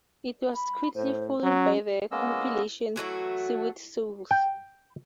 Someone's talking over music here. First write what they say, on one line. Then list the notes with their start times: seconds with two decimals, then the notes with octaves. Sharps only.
It was quickly followed by the compilation "Sewed Soles".
0.55 B5
0.95 A2 C5
1.43 F#3 C#4
2.11 G#3 A#3 B3 C#4 D#5 E6
2.96 E3 F#3 A3 F#4
4.31 G5